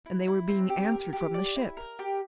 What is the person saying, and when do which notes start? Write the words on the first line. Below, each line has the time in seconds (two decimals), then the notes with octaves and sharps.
And they were being answered from the ship!
0.06 E4
0.28 E4
0.48 C4
0.69 G4
0.92 A#4
1.13 G4
1.34 D5
1.56 E4
1.77 A#4
1.99 G4